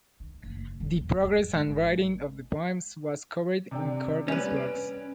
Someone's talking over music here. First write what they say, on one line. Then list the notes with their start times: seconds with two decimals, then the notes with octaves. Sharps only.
The progress and writing of the poems was covered in Corgan's blogs.
0.20 D#3
0.43 F#1
0.80 D#1
0.95 E2
1.23 G#2
1.53 G#1
3.71 C3 D4 G5
4.28 G3 C#4 B4
4.56 D7